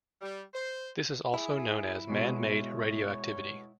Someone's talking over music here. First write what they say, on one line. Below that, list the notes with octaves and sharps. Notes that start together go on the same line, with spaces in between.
This is also known as man-made radioactivity.
G3
C5
E4 G#4
B2 G#3 C#5